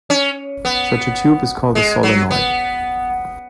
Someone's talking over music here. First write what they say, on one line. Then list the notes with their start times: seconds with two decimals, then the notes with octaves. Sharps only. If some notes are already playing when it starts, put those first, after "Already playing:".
Such a tube is called a "Solenoid".
0.10 C#4
0.65 B3
1.75 G#3
2.03 F#3
2.31 B3